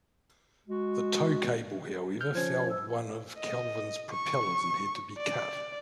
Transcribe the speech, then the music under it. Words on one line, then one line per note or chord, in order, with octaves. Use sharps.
The tow cable, however, fouled one of "Kelvin"s propellers and had to be cut.
G#3 F#4
F6 G6
F3 C#4 C5 G#6
E6
D#5
C#6
D5